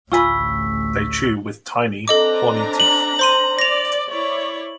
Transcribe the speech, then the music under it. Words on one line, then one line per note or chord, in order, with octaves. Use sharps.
They chew with tiny, hornyteeth.
A1 D2 F4 G#5 B5 C#6 E6 B6
C4 D4 A4 D#5 A#5 D6
F#7
C5 C6 D#7
D5 A#6 F7
E4 C#5 D5